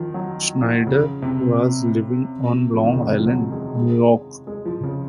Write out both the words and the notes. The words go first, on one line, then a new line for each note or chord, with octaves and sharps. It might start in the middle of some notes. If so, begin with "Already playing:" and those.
Schneider was living on Long Island, New York.
Already playing: D#3 F3
F#3
F3
C#3
C3
F3
D#3
C#3
C3
F3
F#3
G#3
G#3
G#3
F3
C#3